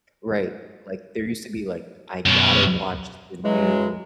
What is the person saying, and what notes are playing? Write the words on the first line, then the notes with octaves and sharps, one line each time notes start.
Right, like, there used to be, like, I gotta watch the new,
F#2 B2
C#3 E3 F#3 G#3